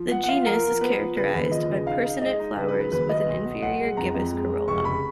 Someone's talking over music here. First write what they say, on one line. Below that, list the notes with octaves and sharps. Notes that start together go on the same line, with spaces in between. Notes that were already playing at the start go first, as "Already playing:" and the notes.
The genus is characterized by personate flowers with an inferior gibbous corolla.
Already playing: F3
B3 F#5
F#5
F4 F5
F3 A#4
F3
B3 B4
F3
C#3 B4
D#2 B4
F3 D#5
C#3
D#4 F5
D#4
G#3 D#5
D#4
C#3 B4
B4
F#3
B4
D#2 B4
F#3 D#5
B1
B3
B1 F#5
G#3
F2 A#5
F2
G#3
G#3
F1 C#6
C#3 B5